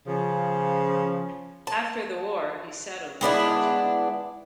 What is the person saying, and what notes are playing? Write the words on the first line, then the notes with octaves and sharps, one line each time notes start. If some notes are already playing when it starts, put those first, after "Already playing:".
After the war he settled in Belgium.
C#3 F3
A5
G#3 B3 D4 E4